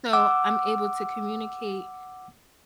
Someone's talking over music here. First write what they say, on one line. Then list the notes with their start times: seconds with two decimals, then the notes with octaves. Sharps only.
so, I'm able to communicate
0.13 F#5 D6 E6